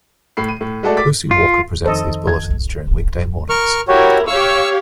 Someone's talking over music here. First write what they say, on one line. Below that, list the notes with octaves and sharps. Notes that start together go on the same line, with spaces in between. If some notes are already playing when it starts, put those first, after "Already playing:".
Lucy Walker presents these bulletins during weekday mornings.
A2 B5 C7
D#7
A2
G#3 A3 F#4 A4 D5
D6 A6 B6
F4
F2 D#3 A4 C5 D#5
G#6
A#4 C#6 F6
E4 F#4 G4 A#4 C#5
G4 C#5 F5 C#6 E6